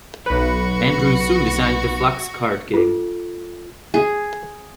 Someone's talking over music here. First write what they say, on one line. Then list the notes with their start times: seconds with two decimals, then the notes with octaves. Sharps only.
Andrew soon designed the Fluxx card game.
0.26 B1 F#4 B4 C#7
2.74 F4 A4
3.94 G#4